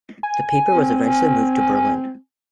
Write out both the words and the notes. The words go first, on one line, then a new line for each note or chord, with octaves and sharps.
The paper was eventually moved to Berlin.
G#5
C4